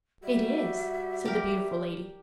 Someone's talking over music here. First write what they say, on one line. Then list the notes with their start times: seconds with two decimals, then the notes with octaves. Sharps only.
"It is," said the beautiful lady.
0.24 G3 F#4 E5
1.25 G4 A#4